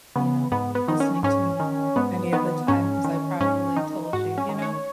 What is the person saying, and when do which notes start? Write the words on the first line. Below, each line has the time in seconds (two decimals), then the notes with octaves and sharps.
You know, listening to me, any of the times I probably told you. You know,
0.16 C#3 B3
0.52 G#2 B3
0.75 B3
0.88 D#3 D#4
1.00 C#4
1.23 G#2 C#4
1.60 D#3
1.96 G#2 B3
2.33 D#3 B3
2.68 G#2 C#4
3.04 D#3
3.40 G#2 C#4
3.76 D#3 D#4
4.13 G#2 F#4
4.38 C#4
4.49 D#3
4.62 C#5